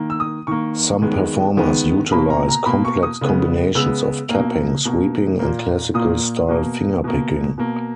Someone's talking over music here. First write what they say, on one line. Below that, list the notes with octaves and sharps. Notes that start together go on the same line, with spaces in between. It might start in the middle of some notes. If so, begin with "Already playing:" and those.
Some performers utilize complex combinations of tapping, sweeping, and classical-style finger picking.
Already playing: D#3 A#3
E6
D#6
D#3 A#3 C#6
D#3 G#3 B3
D#3 G#3 B3
B2 A#3 B5
A#5
A#5
B2 A#3 B5
C#6
D#6
C#3 G#3 B3
C#3 G#3 B3 E6
B2 A#3
B2 A#3
A#2 A#3
A#2 A#3 D#6
B2 A#3
B2 A#3
B2 A#3